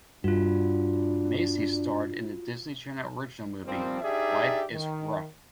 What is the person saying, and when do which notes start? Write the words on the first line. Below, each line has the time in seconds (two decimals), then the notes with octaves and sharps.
Massey starred in the Disney Channel Original Movie "Life Is Ruff".
0.24 G2 D4 F4 F#4
3.64 A#2 D#3 F3 G3 C4
4.01 D4 D#4 G4 G#4 D5 E5
4.71 D#3